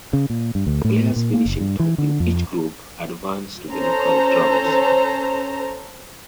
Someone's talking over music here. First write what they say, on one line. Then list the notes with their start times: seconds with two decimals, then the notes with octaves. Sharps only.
Players finishing top in each group advanced to the knockout rounds.
0.13 C#3
0.30 A#2
0.55 G2
0.67 D2
0.85 A2
1.16 A#2
1.34 A#3
1.46 F#1
1.60 G2
1.80 E3
1.98 D3
2.20 F2
3.72 C#4 A4 C5 A#5